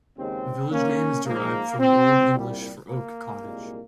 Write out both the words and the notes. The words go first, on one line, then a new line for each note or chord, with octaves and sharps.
The village name is derived from the Old English for "oak cottage".
D#2 C#3 G#3 C4
A#3 C#4
G#2 F3 G#3 A#3
C4
C2 A#2 G3
A#3
C2 A#2 G#3